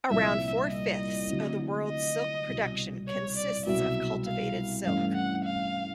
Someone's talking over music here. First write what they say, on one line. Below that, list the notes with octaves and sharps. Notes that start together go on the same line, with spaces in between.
Around four-fifths of the world's silk production consists of cultivated silk.
C2 A#2 F3 E5
D#5
D3 F#3 A3 C4 E4
D#5
C2 B2 G3
C#5
D5
C2 B2 F#3 E5
F5
G2 E3 A3 C#4 F5
F#5
F5